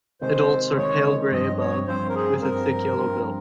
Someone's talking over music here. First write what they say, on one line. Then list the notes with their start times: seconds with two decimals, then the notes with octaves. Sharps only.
Adults are pale grey above, with a thick yellow bill.
0.22 C3 D#3 G#3 C5
0.77 C3 D#3 G#3 C#5
1.31 G2 F3 C4 D#5
1.60 C#5
1.88 G2 F3 C4 C5
2.09 A#4
2.15 G#4
2.42 G2 F3 C4 A#4
2.97 G2 F3 C4